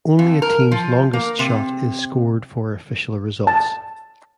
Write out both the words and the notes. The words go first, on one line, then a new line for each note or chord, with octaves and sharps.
Only a team's longest shot is scored for official results.
F2
A#4
F3
A#3
C3
A5